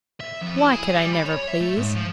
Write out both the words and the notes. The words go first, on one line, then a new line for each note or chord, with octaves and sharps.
Why could I never please?
E5
F2
E4
G#4
G3
B5
C#5
E5
A3
G#2
F3